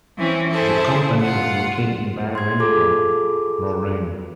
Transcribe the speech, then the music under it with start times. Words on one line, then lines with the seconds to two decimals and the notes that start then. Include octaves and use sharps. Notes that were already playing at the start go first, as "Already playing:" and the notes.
The company was located in Baerenthal, Lorraine.
0.18 E3 C4 C#4 E4
0.49 E4 G#4 A4 C5
1.20 F4 F#5
2.35 C6 G#6
2.59 F4 G#4 A4 D6